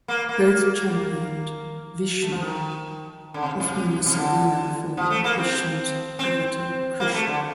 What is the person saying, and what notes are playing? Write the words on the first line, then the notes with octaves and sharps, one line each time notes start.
Both championed Vishnu, often in the "saguna" form of Vishnu's avatar Krishna.
A#3
A#3
A#3
A3
F3
D#3
D3
C3
C3
C3
D3
F3
A3
A#3
C4
C4
A#3
A3
D3